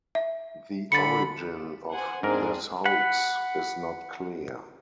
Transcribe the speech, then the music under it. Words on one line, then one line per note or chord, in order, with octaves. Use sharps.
The origin of this hoax is not clear.
E5
D3 B5 A6 C#7
C5 F#5 G#5
G#2 C4 D4 G#4 A#4
F#5 B5